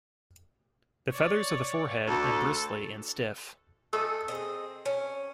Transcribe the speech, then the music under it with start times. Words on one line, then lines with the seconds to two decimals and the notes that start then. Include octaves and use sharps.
The feathers of the forehead and bristly and stiff.
1.10 C#5 D5
2.08 D2 A4
3.93 G#4 A4 D#5
4.28 C4 G#4 A#4 D#5
4.86 C#4